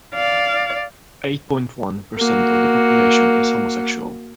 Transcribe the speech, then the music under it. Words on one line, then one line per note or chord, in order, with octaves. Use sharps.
Eight-point-one percent of the population is homosexual.
D5 F5
A#3 F#4